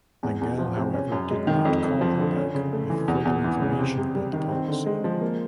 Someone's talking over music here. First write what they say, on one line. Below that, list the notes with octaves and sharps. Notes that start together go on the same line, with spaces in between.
Lengel, however, did not call them back with further information about the policy.
E2
E2
F3
C3
C#4
F#2
G#3
D#3
F2
F2
F3
D3
C#4
C#3
A3
E3
E2
E2
E3
C#3
C3
C3
G3
D#3
C4
D3
G#3
F3
A#3